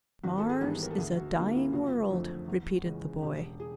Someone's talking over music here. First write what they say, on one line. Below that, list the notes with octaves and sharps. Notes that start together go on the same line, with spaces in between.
"Mars is a dying world," repeated the boy.
G#1 F#4
A4
G#4
G#2 E3 G3 B3 G4
A#4
A4
D2 G#4
F#4
D3 G3 A#3 F4
E4
F#1 F#4
F4
F#4
F2 D3 F3 A3
E2
C#3 E3 G#3 C#4
E1 G4
G#4